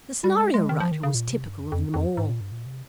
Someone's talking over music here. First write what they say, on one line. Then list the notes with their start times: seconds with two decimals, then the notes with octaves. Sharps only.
The scenario writer was typical of them all.
0.24 G3
0.39 G#3
0.54 G#3
0.69 D#3
0.80 F3
0.92 D#3
1.03 C#3
1.15 A#2
1.30 C3
1.45 G2
1.61 F2
1.72 F2
1.94 F2
2.17 G#2
2.29 A#2
2.41 G2
2.52 A#2
2.66 C3